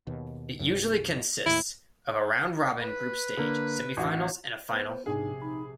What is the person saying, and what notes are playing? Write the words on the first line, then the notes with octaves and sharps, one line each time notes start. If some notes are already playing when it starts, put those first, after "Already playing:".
It usually consists of a round-robin group stage, semifinals, and a final.
D#2 B2
B1 F#2
D#2 A2 E4
B4
D3 A#3
A1 F#4
B3 C5
A#1 G#2 C3 D4 D#4 G#4 G#5
D#4 B5